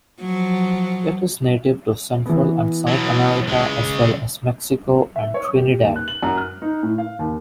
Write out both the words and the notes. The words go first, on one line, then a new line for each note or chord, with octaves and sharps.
It is native to Central and South America as well as Mexico and Trinidad.
F3 F#3
E3 B3
B2 F#3
C#2 G#3
E5
C#5
G4
D#2
F#6
F#7
F#2
F6
D#4
A2
F5
D#2